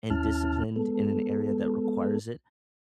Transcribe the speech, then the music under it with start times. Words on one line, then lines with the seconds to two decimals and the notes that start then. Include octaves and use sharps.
and disciplined in an area that requires it.
0.10 D#2 C#4 E4 A5 F6
0.76 G#3 B3 A4